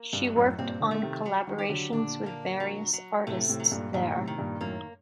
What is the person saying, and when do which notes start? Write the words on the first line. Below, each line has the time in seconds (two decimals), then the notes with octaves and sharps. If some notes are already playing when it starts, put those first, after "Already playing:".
She worked on collaborations with various artists there.
Already playing: A#3
0.13 G2
0.24 F#3
0.36 F#2 A2
0.58 G2 A#2 C4
0.80 A#2 D3
0.91 A3
1.02 C3 D#3
1.26 F#3
1.47 D#3 G3
1.58 G4
1.69 D3 F#3
1.92 A#2 D3 D4
2.26 A#3
2.60 F#3
2.93 F#3
3.26 A2 C3 A3
3.49 A2 C3
3.60 F#3
3.72 G2 A#2
3.94 G2 A#2 D#3
4.15 A2 C3
4.27 D#3
4.38 G2 A#2
4.61 F#2 A2 A#3